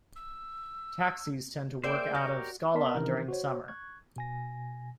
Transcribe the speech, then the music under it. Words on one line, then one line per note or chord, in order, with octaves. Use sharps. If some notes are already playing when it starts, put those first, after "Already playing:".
Taxis tend to work out of Skala during summer.
E6
A#3 G#4 C5 D5 E5 G5 G6
F#4 G4 A#4 C#5
B3 A#4 D5 A5 C6 B6
C3 D#3 E3 C#4 D#4 A#4
F#4 C5 C#5
C#6 F#6 G#6
B2 G#5 A#6